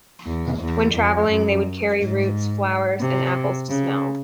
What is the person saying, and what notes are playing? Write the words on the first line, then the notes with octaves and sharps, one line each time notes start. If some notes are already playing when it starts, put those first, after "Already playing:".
When traveling, they would carry roots, flowers and apples to smell.
E2
E2
F2
F#2
G#2
C3
C#3